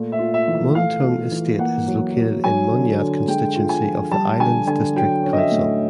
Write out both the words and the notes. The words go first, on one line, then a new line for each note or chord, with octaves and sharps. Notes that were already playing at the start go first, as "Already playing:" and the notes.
Mun Tung Estate is located in Mun Yat constituency of the Islands District Council.
Already playing: A#2 A3
E5
F4
E5
E3
E5
A3 F5
F4
E3
A#3 F#5
F#3
F#3
F#3 G#5
D3
D3
G#3 G5
F4
G#5
F3
G3 A5
D3 G#5
D3 G#5
F#3 G5
C#4
D#5
E5
A2